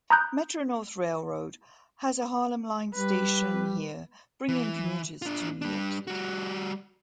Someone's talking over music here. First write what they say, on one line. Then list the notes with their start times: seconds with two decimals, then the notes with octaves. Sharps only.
Metro-North Railroad has a Harlem Line station here, bringing commuters to New York City.
0.10 A#5 B5 D#6 F#6 G6
2.94 G3 B4
4.48 E3
5.22 D4 F4
5.62 G3 D4
6.07 G3 F#4